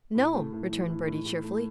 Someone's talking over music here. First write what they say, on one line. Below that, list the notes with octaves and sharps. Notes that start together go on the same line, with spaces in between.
"No'm," returned Bertie cheerfully.
A2
A3
A2
E3
A2
A2
A2
A3